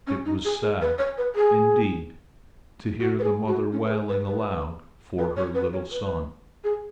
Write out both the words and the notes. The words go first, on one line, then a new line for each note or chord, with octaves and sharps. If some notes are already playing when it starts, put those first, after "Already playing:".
It was sad, indeed, to hear the mother wailing aloud for her little son.
C#4
D#4
G#4
G#4
B4
C#5
B4
G#4
F#4
B4
G#4
F#4
C#4
B4
G#4
B4
B4
B4
C#5
B4
C#5
B4
G#4